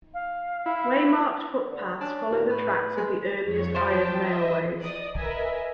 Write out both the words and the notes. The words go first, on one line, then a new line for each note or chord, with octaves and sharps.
Waymarked footpaths follow the tracks of the earliest iron railways.
F5
E4
D3
C#4 D4
D#2 A#2
A2 B4
G#3
F2 C#5
F3 C5 G5 A5
D#5 E5
D5 D#5 D#6
A#4 B4 D#5 E5 G#5